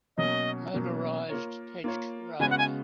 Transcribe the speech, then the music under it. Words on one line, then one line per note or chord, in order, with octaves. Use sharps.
Motorized pitch roller.
B2 F#3 A#3 C#4 D#5
B2 F#3 A#3 C#4
A#3 F4 A#4 C#5
A#3 F4 A#4 C#5
C#3 G#3 B3 F#4 G#5
F#5
G#5